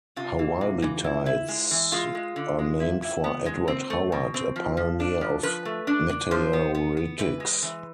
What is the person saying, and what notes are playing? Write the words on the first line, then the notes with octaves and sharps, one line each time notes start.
Howardites are named for Edward Howard, a pioneer of meteoritics.
C3 F4
E3
C3
E3
E4
E4
G#3
E3
G#3 F4
G#3
D3
G#3
E4
E4
B3
G#3
C4
A3
B2
C4
F3
F3
D4
F3
F3 B4
A3
D4
D4
F3 C5
B3
B3
B3
E3 B4
G#3
E3